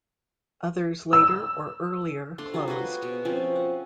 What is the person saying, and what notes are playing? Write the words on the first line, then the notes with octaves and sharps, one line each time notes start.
Others later or earlier closed.
E6
A3 D4 C6
F#3 G3 F4
F#4 G#4 B4 D#5
B2
F3 C4 C#4
F#5